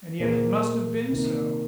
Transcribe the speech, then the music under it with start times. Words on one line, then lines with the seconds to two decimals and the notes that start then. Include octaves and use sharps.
And yet it must have been so!
0.19 A#2 A#3 G#4 C5
1.12 C3 D#3 A#3